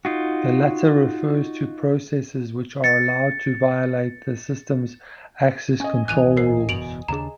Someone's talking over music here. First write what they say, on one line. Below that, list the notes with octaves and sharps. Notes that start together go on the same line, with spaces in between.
The latter refers to processes which are allowed to violate the system's access-control rules.
D#4 F4 F#4
A6 C#7
C#4 D#5 G#5
D1 A1 E3 F#6 D#7 F7
A#4 C5 C7
F#1 E2 B2 D7 F7 F#7
D#2 C#3 D4 G#4 A#5